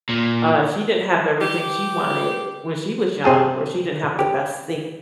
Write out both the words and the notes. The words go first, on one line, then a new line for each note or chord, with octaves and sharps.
uh, she didn't have everything she wanted when she was young, or she didn't have the best things.
A#2
G4
C3 C4 G#4 A5
G4